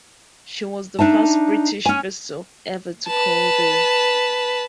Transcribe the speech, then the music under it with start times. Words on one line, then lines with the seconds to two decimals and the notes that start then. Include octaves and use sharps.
She was the first British vessel ever to call there.
0.99 D4 D#4 E5 A5
1.86 C#4 G#5
3.07 B4 A5